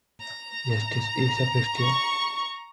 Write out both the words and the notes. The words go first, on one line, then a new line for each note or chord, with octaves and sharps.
Justice is a Christian.
A#5
C#6